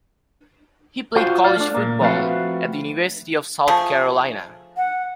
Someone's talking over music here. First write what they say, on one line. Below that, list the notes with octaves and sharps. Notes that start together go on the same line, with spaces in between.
He played college football at the University of South Carolina.
F4 F#4 C5 F5
D5 F5
A3 D4
A#2 A#3
F3 A3 C4 F#4 B4 F5
F3 A3 G#4
F#5